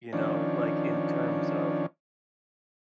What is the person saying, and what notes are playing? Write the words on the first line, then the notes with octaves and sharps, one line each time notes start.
you know, like, in terms of,
D#3 F3 C#4 D4